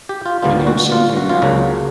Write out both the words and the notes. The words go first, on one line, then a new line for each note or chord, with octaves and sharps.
We know something now.
G4
F4
D2 D3 G3 B3 D4 F4
F#4
F4
F#4
F4
C#2 C#3 F#3 A#3 D4 F#4